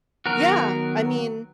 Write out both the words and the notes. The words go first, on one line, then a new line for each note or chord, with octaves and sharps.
Yeah! I mean,
D#3 F#3 B3 F#4 A#4